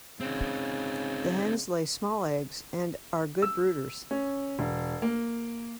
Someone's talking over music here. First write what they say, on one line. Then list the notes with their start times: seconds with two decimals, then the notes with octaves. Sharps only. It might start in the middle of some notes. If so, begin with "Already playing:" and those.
The hens lay small eggs and are good brooders.
0.20 C#3 C4 D#4
3.42 E6
4.11 C#4
4.59 E1
5.02 A#3